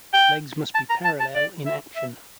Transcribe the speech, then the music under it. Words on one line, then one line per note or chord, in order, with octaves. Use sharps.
Legs must be parallel in action.
G5
A5
A#5
A5
A5
D5
E5
E5